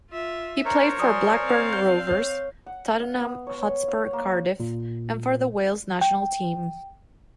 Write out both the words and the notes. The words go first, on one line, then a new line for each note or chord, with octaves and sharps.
He played for Blackburn Rovers, Tottenham Hotspur, Cardiff, and for the Wales national team.
F4 E5
D4 A#4 C5 C#5 A#5
F#3 D5 G#5 C6 D#6
C4 F5
G6
C#5 G6
F#5
F5
B3
C#5
F5
A#3
A#2
G5